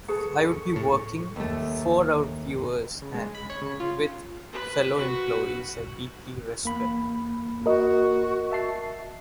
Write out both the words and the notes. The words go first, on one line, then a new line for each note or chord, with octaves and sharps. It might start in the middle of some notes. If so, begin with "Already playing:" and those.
I would be working "for our viewers", and "with" fellow employees I deeply respect.
G#4 A4 B4 A5 C#6
A2
D#2 A3
C#3
G#3
B5
C#5
C#3
F4
B4
F#4 B4
E2 A#3 B5
F#4 A#4 D#5
E5 A5 C7